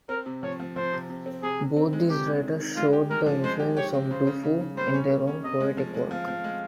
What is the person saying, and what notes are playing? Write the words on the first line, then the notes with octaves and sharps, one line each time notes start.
Both these writers showed the influence of Du Fu in their own poetic work.
C4 A#4
C3
F3 C#5
F3
F3 C5
C3
C3
C4
C3 G#4
C3
C4
G#3
C3 G4
G#3
D#3
D#3
G#3 F4
G4
G#3 A#4
F3
G#3 C5
G4
G4 C#5
C4
C#3 C5
C#3
C#3
C#3
G3 C5
C#4
A#3
C#4
C3 D#5
G#3
F3
G#3
F3 F5
F3
G#3